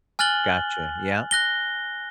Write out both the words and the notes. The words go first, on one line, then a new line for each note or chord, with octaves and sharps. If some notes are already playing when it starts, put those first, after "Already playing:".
Gotcha. Yep.
G#5 F6 F#6 A6 F#7 G7
F#6 A#6 G7